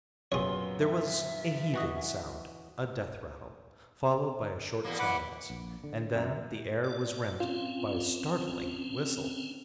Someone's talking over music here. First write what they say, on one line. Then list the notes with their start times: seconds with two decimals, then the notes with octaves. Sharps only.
There was a heaving sound, a death-rattle, followed by a short silence; and then the air was rent by a startling whistle.
0.32 F#2 A#2 B3 G#4 C#5 C6
0.80 E5
1.74 E3 F#4 D#5
4.84 E2 B2 A#3
4.99 E3 B4 F#5 B5 D6
5.50 A#1
5.84 D3
6.16 F#2
6.84 D5
7.40 C4 C#4 F4